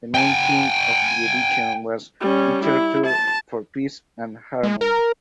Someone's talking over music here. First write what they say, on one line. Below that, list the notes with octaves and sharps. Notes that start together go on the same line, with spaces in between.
The main theme of the edition was "Literature for Peace and Harmony".
G5 G#5
G3 C#4
E4
A5
G#3
A#4